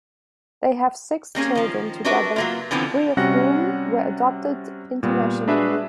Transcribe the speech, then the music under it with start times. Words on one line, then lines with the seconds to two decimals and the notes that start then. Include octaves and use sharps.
They have six children together, three of whom were adopted internationally.
1.35 G3 A#3 C#4 G#4
1.55 D#3 F3
2.05 D4 F#4 G4 A#4 B4 E5
2.36 F#3 A#3 F4
2.71 D3 E3 F3 B3 C4
3.17 C3 G3 C#4 F#4 F#5 A#6
5.03 A#2 G3 B3
5.48 D4 F#4 G#4 B4 E5